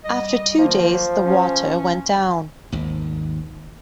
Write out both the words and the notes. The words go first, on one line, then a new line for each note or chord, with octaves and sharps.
After two days the water went down.
G3 D#5
D#3 F3 F#3 A#3
C#4
G#1 D#2